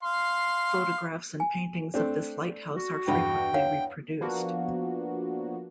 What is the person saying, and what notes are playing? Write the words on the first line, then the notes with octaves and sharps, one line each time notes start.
Photographs and paintings of this lighthouse are frequently reproduced.
F5 C6
G#5
A3 C4 D4
F#4
E2 G2 A4 G5 B5
C#5 F5 F#5
F3 A#3 B3 D4 F#4